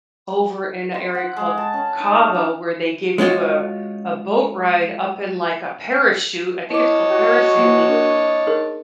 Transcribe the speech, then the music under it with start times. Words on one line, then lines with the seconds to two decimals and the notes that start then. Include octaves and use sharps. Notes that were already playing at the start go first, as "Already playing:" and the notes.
over in a area called Cabo where they give you a a boat ride up in, like, a parachute, I think it's called parasailing.
0.94 C6
1.15 F#5
1.37 G#3
1.58 A5
1.73 C#4
2.00 D#4
2.16 F5
2.34 D4
3.18 G#3 C#4 F4 F#4
6.70 E4 C#5 D#5 A5 D6
7.11 F#4
7.57 A#3
7.88 D4 A#4
8.47 D#4 G#4 A#4